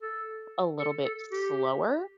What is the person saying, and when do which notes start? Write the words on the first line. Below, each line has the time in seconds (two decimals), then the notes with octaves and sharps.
a little bit slower.
0.01 A4
0.80 A4
1.05 A4
1.32 G4